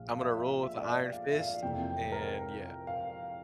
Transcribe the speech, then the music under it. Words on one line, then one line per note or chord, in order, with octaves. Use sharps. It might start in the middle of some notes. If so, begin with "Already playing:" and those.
I'm gonna rule with a iron fist, and yeah,
Already playing: A#1 A#2 F3 F5
F5
E5
F5
E5
E5
D5
E5
F5
E5
F5
F2 C3 E3 A#3 G5
A#4
F5